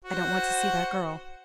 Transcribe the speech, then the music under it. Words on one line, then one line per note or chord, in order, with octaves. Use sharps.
I don't want to see that girl.
F#4 C5 F#5